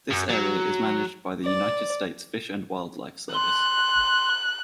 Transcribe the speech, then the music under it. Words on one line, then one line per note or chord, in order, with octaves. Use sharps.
This area is managed by the United States Fish and Wildlife Service.
F#2
F#3
D5
C6 F#6